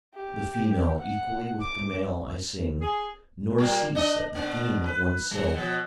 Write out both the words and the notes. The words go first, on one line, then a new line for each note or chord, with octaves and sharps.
The Female equally with the Male, I sing. Nor cease at the theme of One's-Self.
G4
F#5
D6
G#4
A#2 G3 A#3
D4 D#5
B2 A#3 D4
B4
G3
B2 F3